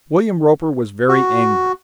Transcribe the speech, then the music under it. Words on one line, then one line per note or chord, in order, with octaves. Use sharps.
William Roper was very angry.
F#4